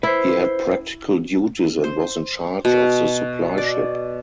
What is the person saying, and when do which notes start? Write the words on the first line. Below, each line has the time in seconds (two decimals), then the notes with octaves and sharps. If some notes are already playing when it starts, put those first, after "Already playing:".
He had practical duties and was in charge of the supply ship.
0.03 E4 B4 C5
1.84 C5
2.65 B2
3.58 D5